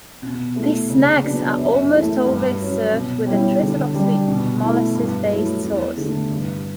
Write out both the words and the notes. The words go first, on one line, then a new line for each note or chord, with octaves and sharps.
These snacks are almost always served with a drizzle of sweet molasses-based sauce.
B2
A3 E4
C#3
F#3 B3 D4
F#2
E3 A3
G2
F#3 C#4
B2
G3 C#4 E4
D3
G3 D4
B2
A3 E4
G2
F#3 A3 E4
E2
D3 A3
G2